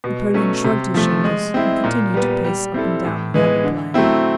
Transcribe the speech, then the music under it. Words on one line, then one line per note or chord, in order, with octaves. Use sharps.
Napoleon shrugged his shoulders and continued to pace up and down without replying.
B2
F#3 A3 C#4
C3
F3 A3
G#3
C4 E4
A#2
G3 B3
G3
C4 E4 A4
A2
E3 G#3 B3
D3
F#3 A3 C4 E4